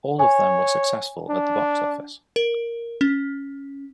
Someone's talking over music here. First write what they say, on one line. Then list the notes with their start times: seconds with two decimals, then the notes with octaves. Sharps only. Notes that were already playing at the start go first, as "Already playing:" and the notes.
All of them were successful at the box office.
0.19 C#5 G#5
1.29 D4
2.36 A#4
3.01 C#4